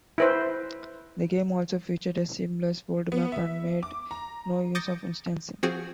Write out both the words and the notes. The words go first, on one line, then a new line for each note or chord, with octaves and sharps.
The game also featured a seamless world map, and made no use of instancing.
E4 B4 C5
B3
E5
D6
A#5
D6 D#6 G6 A6 A#6 C#7
F3 C4 F#4 G#4 G#6